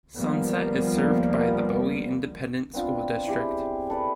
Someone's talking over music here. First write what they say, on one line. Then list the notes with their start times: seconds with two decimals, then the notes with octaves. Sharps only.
Sunset is served by the Bowie Independent School District.
0.16 D#2 F3 G3 A#3 B3
2.74 B3 C4 D4 F4
3.27 E4 G4 G#4
3.90 A4 B4 D5